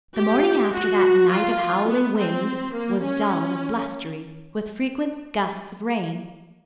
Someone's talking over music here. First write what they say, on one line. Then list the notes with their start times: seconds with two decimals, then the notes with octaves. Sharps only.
The morning after that night of howling winds was dull and blustery, with frequent gusts of rain.
0.16 G4
0.73 F#4
1.31 F4
1.88 B3
2.17 C4
2.74 A#3
3.03 C#4